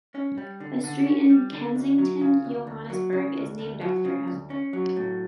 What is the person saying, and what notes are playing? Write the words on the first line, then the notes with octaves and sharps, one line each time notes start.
A street in Kensington, Johannesburg is named after him.
C#4
G3
D3
D3
C#4
G3
D3
D2
F#3
C#3
D2
D2
F#3
C#3
D2
D2
F#3
C#3
D2
C#4
F#3
A2